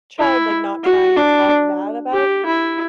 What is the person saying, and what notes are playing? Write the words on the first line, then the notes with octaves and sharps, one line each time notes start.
child, like, not trying to talk bad about
E4
F#4
D4
G4
E4